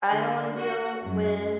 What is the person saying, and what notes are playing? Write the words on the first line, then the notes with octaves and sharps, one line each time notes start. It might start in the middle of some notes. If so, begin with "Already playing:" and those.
I don't wanna deal with,
D3
F#4
F#2